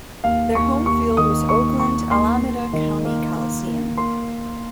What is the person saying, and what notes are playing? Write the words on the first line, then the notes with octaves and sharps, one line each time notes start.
Their home field was Oakland-Alameda County Coliseum.
D#2 F5
D#2 C#6
D#2 C#6
D#3 D#6
D#2 C#6
D#2 C#6
D#2 C6
D#2
D#3
A#3
A#3
A#3
A#3 C6